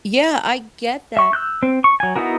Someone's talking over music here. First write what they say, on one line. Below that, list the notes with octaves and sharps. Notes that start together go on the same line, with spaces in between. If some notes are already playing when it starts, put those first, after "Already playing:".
Yeah, I get that.
E5 C#6
E6 F#6 G6
C4
C#6
F#3 G#5
B3 D#4 E4 F#4 A#4